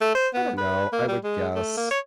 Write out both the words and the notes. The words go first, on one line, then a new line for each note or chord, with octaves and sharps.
I don't know, I would guess
A3
C5
B3
B4
A#3
G3
G#3
A3
A#3
C#5